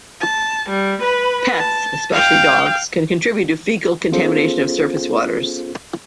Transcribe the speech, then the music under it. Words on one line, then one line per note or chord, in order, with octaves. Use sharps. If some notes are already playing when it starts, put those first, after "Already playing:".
Pets, especially dogs, can contribute to fecal contamination of surface waters.
A5
G3
B4 B5
A5
F5 G5
B3 C#4 F4 G#4 A4 C5